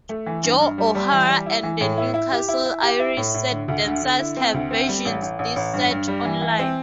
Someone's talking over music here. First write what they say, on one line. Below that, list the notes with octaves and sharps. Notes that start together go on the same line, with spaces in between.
Joe O'Hara and the Newcastle Irish Set Dancers have versions this set online.
A3
E3
G2
G2
G3
G3
E3
G3
E4
E3
A2
E4
E4
G4
E4
E4
G4
E4
A2
A2
D3
D2
D3
D3
E4
C4
D2
C4
G3
A1
A1
A1
A1
G2
G2
G3
E3
E3
C4